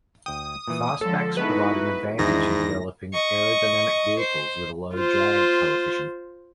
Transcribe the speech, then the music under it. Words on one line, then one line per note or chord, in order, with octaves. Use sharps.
Fastbacks provide an advantage in developing aerodynamic vehicles with a low drag coefficient.
D2 G5 D#6
A#2 E3
D3 F3 G#3 A4 C#5
G#3 B3 D#4 E4 F#4 A4 B4
E2 G#2 D#3 D4 E4 A#6
D#5 C#6
C5
F4 C5